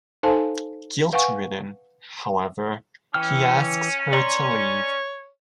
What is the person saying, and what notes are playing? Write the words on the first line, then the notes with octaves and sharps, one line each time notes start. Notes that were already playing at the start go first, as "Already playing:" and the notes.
Guilt-ridden, however, he asks her to leave.
D#4 A4 C5 F5 G#5 A5
B4 F5 F#5 G#5 C#6
E3 C#4 G5 F6
C#5 D5 A#5 C6